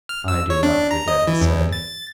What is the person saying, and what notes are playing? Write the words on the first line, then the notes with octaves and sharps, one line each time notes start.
"I do not forget," he said.
F6
E6
C#5
D4
A#5
D#5
E3
E2
A6